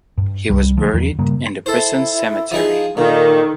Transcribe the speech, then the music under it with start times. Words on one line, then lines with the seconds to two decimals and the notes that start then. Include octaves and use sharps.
He was buried in the prison cemetery.
0.18 G2
0.50 C2 G3
0.77 D3 F3 A3
0.93 E2 D#3 F#3
1.19 G2 C#3 G3 A#3
1.66 E4 A4 C5
2.51 F3 D#4 G#4
2.97 A#2 D#3 A4